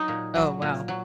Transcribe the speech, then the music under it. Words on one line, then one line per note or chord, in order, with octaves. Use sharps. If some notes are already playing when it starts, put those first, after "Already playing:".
Oh, wow.
Already playing: F#3 D#4
A#2
F#3
A#2
F#3